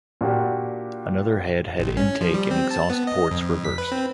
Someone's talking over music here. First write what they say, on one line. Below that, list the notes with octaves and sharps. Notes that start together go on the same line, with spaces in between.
Another head had intake and exhaust ports reversed.
A#2 D4 F#4 G4
A1
C#4
F3
G3
C4
A5
B3
D#5
F2
B6
B4
C4